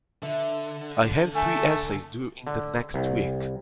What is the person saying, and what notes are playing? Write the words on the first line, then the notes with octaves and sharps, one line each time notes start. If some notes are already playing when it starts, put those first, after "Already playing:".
I have three essays due in the next week.
D3 E5
A3 G#5
D3
C2